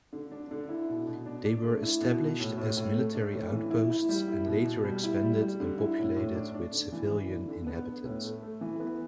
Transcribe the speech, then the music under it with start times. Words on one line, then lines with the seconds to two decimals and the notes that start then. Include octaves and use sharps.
They were established as military outposts and later expanded and populated with civilian inhabitants.
0.13 D3
0.32 D4
0.51 D3
0.69 E4
0.89 B2
1.07 B2
1.26 D4
1.44 D4
1.63 A3
1.83 E4
2.01 B2
2.20 B2
2.40 A2
2.58 A2
2.77 A2
2.96 A3
3.14 D4
3.33 A2
3.52 E3
3.71 E4
3.90 E4
4.09 G3
4.28 E4
4.46 B2
4.65 B2
4.84 G3
5.03 E4
5.23 G3
5.41 G3
5.60 D3
5.79 E4
5.98 A2
6.16 A2
6.35 D4
6.54 D4
6.72 D3
6.92 E3
7.11 E3
7.29 D4
7.48 D3
7.67 B3
7.86 B3
8.05 A2
8.24 A3
8.43 A3
8.61 E3
8.80 B3